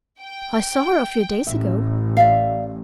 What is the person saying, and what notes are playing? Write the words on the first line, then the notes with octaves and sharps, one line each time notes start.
"I saw her a few days ago."
G5
A1 E5
D5 E5 F5